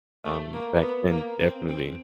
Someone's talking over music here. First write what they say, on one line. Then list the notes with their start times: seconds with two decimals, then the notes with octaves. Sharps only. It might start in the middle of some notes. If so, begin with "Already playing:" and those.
Um, back then, definitely.
0.25 A3
0.53 A#3
0.81 B3
1.10 A#3
1.40 C4
1.69 C4